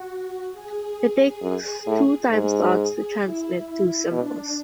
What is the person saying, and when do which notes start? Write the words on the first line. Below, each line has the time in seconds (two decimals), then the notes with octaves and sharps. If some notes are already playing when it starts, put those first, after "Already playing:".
It takes two time-slots to transmit two symbols.
Already playing: F#4
0.52 G#4
1.42 F#2
1.87 A2
2.32 G#2 G#4
2.78 G#4
3.23 E4
3.67 E4
4.12 B2 D4